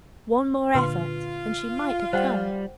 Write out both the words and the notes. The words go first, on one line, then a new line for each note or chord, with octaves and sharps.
One more effort, and she might have come.
A#2 D3 F4 B4 C6
G3 C5 F#5 G5